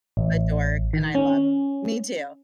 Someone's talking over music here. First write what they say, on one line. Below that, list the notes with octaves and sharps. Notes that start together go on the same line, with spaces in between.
a dork, and I love Me, too.
A1
D#3
C#4